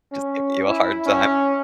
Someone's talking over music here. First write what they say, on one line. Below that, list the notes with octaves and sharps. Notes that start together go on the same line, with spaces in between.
just give you a hard time.
C#4
E4
C#4